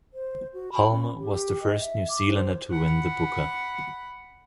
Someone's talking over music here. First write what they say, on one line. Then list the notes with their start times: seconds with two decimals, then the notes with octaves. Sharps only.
Hulme was the first New Zealander to win the Booker.
0.14 C5
0.53 F#4
0.72 B5
0.91 C#4
1.19 G4
1.62 D#5
1.80 E5
2.09 D6
2.29 C5
2.71 F#5 B5